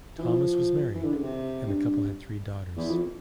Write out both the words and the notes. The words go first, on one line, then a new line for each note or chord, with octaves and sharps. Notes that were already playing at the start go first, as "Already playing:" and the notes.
Thomas was married, and the couple had three daughters.
E3
F3
E3
D3
C#3
C3
G2
E2
F2